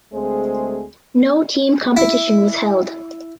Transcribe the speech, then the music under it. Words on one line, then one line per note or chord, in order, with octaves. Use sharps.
No team competition was held.
D2 G#3 A3 C4 G#4 C5
E4